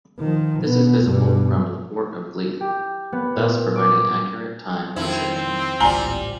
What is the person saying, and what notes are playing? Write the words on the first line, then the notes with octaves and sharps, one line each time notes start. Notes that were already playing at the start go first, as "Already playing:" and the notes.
This is visible from the port of Leith, thus providing accurate time for shipping.
D#3 F3
B2 B3
G2 B2
G4
B3
A#2
D6
F2 D#3 F3 C4 E4
G#1 C#2 A2 G3 F4 G#5 A#5